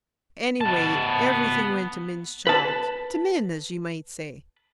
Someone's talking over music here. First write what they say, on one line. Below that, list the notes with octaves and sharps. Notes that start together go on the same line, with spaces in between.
Anyway, everything went to Min's child--to Min as ye might say.
B3 A5
B4 A5